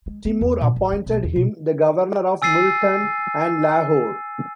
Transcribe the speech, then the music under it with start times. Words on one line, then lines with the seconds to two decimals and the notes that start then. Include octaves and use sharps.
Timur appointed him the governor of Multan and Lahore.
0.06 G#3
0.25 B3
0.41 E2
0.61 A#2
0.76 A1
0.92 C#4
1.06 B1
1.24 E2
1.36 B2
2.42 G#5 E6 A6 C7 D#7